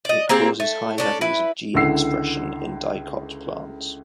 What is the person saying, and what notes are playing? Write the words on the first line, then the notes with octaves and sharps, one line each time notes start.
It causes high levels of gene expression in dicot plants.
D5 D#5
A#3 C4 G4 G#4
A3
C#4 D4 A4
E4 B4
C#2 D3 E4 F#5 E6 C7